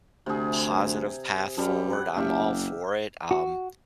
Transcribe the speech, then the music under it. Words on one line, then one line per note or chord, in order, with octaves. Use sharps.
positive path forward, I'm all for it, um,
D2 C3 G#4
F#2 G3 A4
F#5
F#1 G4 E5 F5
F#4